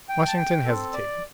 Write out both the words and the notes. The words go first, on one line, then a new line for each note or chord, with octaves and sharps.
Washington hesitated.
G5
A5
G5
C4 A4
D5